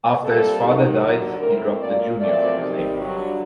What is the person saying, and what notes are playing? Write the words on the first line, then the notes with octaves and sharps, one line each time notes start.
After his father died, he dropped the "Junior" from his name.
C3 G3 A#3 A4
D#2 D#3 F#3
D#2 D3 F#3
A2 A3 C4 A#4
A#2 F#3 A#3 D5
A#2 F#3 A3 C4 D5
C3 D#3 G3 C4
G2 D3 F#3